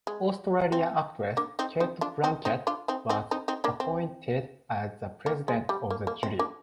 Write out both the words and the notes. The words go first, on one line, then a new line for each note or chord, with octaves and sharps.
Australian actress Cate Blanchett was appointed as the President of the Jury.
G#3
C4
A#3 D4
C4 D#4
C4 D#4
D4 F4
C4 D#4
C4 D#4
D4 F4
C4 D#4
C4 D#4
C4 D#4
C4 D#4
A#3 D4
C4
A#3
G#3
G3
A#3
A#3
C4
A#3 D4